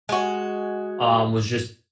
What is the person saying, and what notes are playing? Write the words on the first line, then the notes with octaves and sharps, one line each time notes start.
um, was just
G#3 F#4